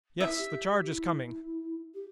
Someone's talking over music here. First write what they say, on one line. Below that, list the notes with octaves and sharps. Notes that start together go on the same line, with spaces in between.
Yes, the charge is coming.
E4 E5
G4
E4
G4